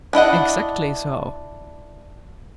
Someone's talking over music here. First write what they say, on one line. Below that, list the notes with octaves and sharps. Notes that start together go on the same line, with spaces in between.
"Exactly so."
D4 E4 D#5 F#5